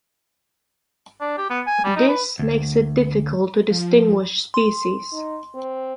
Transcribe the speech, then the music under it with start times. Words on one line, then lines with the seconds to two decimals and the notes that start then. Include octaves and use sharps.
This makes it difficult to distinguish species.
1.21 D4
1.37 G4
1.50 B3
1.67 G#5
1.84 G3
1.96 D#4
2.09 B4
2.39 D2
3.70 F3
4.54 C6
5.13 D#4
5.54 C4